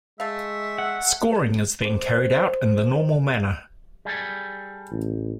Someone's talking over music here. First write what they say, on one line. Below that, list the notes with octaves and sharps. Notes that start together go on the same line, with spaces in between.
Scoring is then carried out in the normal manner.
G#3 A3 E5 F5
F#5
C5 D6
G3 G#4 A4
A1